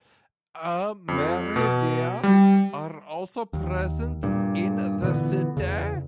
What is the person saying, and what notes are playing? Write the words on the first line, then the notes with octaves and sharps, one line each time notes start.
Amerindians are also present in the city.
F2
B2
G3
D#2
G2 A#2
A#2 D3 E3 B3
E2 C#3